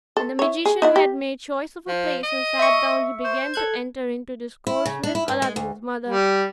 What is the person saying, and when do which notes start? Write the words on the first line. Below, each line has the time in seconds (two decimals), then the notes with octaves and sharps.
When the magician had made choice of a place, and sat down, he began to enter into discourse with Aladdin's mother.
0.17 A4
0.39 E4 C#5
0.65 G#4
0.82 D#4 E4 F#5
0.96 G4
1.88 F3
2.23 D#5
2.59 E5 C#6
3.25 C5
3.54 A4 F#6 G#6
4.67 E4
4.85 C#3
5.03 D4
5.15 E4
5.28 G2
5.42 G#3
5.56 D2
6.08 G3